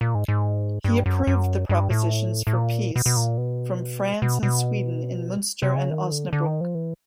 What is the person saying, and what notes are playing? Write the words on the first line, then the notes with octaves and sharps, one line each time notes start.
He approved the propositions for peace from France and Sweden in Munster and Osnabruck.
A#2
G#2
G#2
G2
F#2
F#2
G2
A2
A2
A#2
B2
B2
A#2
B2
B2
B2
C3
C#3
D#3
D3
D3
D#3
F3
E3